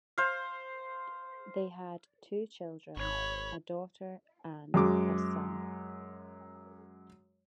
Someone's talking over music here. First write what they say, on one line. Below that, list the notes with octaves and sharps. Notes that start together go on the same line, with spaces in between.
They had two children, a daughter and a son.
C5 F5
G#1 C#5 B5
F#2 G#3 D6